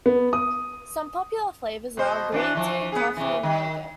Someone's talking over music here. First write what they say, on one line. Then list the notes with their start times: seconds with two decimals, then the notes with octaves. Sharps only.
Some popular flavors are: green tea, coffee, and yogurt.
0.06 B3
0.33 D#6
1.97 B2 C5
2.32 E3 D4 F#4
2.55 E3 F3
2.92 B3 G#4
3.17 C3 E3
3.43 D#3